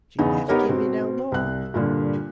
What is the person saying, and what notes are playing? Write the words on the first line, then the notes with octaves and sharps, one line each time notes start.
"She never give me no more."
E2 C#3 B3 D#4
B3 D#4 G4 A#4 C#5
B2 C4
C2 F#6
G2 A#2 D3